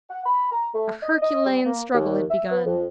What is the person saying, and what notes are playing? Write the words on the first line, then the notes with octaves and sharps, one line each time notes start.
A herculean struggle had begun.
F#5
B5
A#5
A3
D#5
D#5
G3
A#3
D#2
E5
B3
F2